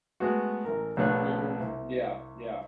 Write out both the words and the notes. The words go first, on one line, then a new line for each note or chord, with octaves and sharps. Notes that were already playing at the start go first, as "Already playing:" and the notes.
Mhm. Yeah, yeah.
G#3 A3 B3 F#4
A1 A#4
A#1 B2 A3 D4 C#5 F#6
C2